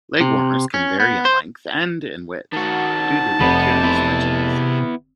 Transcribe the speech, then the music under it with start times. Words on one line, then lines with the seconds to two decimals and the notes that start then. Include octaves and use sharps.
Leg warmers can vary in length, and in width, due to the material's stretchiness.
0.21 C3
0.74 C#4
1.00 B3
1.25 C5
2.53 D#3 F#4 A5
3.41 F1 C3 F#5 B5
3.83 B3 E4